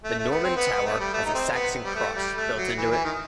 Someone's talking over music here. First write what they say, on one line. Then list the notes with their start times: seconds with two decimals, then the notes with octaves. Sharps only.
The Norman tower has a Saxon cross built into it.
0.04 A3
0.18 A3
0.31 B3
0.44 C4
0.57 B3
0.72 B3
0.86 A3
1.00 G3
1.14 A3
1.26 D#4
1.34 C4
1.54 B3
1.84 G3
1.95 A3
2.16 G3
2.37 A3
2.57 F#3
2.77 E3
2.91 E3
3.04 D#3